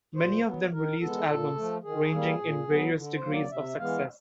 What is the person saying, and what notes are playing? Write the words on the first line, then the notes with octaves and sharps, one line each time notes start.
Many of them released albums, ranging in various degrees of success.
A#2 C5
F#3 B3
D#3 A#4
G#3 B3 A4
A#2
F3 A3
D#3 G#4
G3 A#3
A#2
F#3 B3
D3
C5
F#3 A#3
D5
C3 E5
E3 G#3 B3 F5